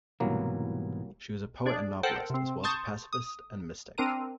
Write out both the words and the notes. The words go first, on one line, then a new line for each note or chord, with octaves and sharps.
She was a poet and novelist, as well as a pacifist and mystic.
C2 G#2 B2 E3 F#3 A#3
D4 G#4 D5
A4 A#4 C5 F#5 G5 A5
C3 C4
A5 C6 C#6 D#6 G6 A6
D#6
C4 D4 A#4 A#5 D#7